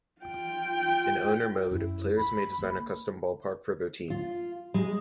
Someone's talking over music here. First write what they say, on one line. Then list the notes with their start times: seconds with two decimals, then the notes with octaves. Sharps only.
In Owner Mode, players may design a custom ballpark for their team.
0.21 F4 G5
1.71 F#2 E4
2.17 D2 B5
2.58 D3 A#3
4.10 F4
4.74 G#3